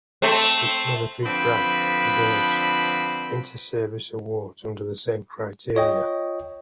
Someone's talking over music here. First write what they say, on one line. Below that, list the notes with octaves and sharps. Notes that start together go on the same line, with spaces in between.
Each military branch awards inter-service awards under the same criteria.
A3 C4
D3 F3 C4 B4 B5
F4 C#5 D#5 G5